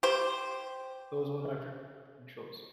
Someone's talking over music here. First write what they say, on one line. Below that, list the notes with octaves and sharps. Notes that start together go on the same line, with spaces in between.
that was one of my favorite cartoon shows.
G4 C5